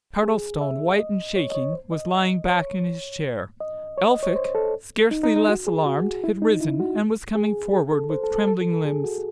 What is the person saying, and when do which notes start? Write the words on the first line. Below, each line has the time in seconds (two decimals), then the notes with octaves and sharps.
Cardlestone, white and shaking, was lying back in his chair; Elphick, scarcely less alarmed, had risen, and was coming forward with trembling limbs.
0.23 G#4
0.61 E5
0.99 D#5
1.36 C#5
1.51 D#5
1.55 C#5
1.73 C5
1.92 D#5
2.49 C#5
3.60 D#5
3.98 C#5
4.11 D#5
4.23 C#5
4.36 C5
4.55 A4
5.11 D#4
5.24 D#4
5.36 D#4
5.49 F#4
5.67 G#4
5.86 F#4
6.24 E4
6.42 D#4
6.60 E4
6.80 F#4
7.35 G#4
7.73 G#4
7.92 A4
8.10 C5
8.24 A4
8.36 A4
8.47 A4
8.61 A4
8.73 A4
8.85 G#4
9.04 F#4